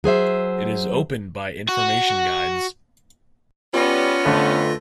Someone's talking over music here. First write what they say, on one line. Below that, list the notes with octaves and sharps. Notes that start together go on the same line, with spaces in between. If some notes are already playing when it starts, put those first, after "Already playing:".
It is opened by information guides.
F#3 G#4 C5 E5
F#4
G3 B3 C#4 F4 A#6
F2 D3 A3 B4